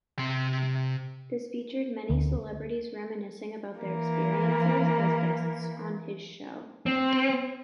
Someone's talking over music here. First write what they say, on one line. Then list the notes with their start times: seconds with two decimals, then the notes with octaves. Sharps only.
This featured many celebrities reminiscing about their experiences as guests on his show.
0.18 C3 C6
2.10 D2
3.79 E3 A#3
6.86 C4